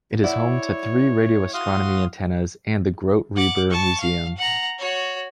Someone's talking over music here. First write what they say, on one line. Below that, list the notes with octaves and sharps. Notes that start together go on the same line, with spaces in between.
It is home to three radio astronomy antennas and the Grote Reber Museum.
E4 C#5 D5 F#5
F#4 F5 C6 D#6
F#5 D6
A5 C#6
F5
F#5 A#5
F#4 C#5